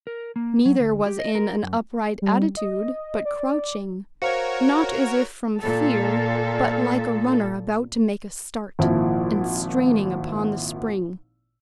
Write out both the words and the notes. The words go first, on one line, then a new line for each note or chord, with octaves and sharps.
Neither was in an upright attitude, but crouching--not as if from fear, but like a runner about to make a start, and straining upon the spring.
A#4
A#3
F#3
D2
G4
D#5
A#4
F#2
G3
D#5
D5
F#4 A#4 C5 C#5 F5 C#7
A#2 A4
G#1 A#2 F3 E4